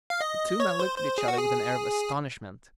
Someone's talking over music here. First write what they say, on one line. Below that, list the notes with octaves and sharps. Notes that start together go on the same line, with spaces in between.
The two men looked at each other with an air of astonishment.
F5
D#5
C#5
C5
C5
G#4
F#4
G#4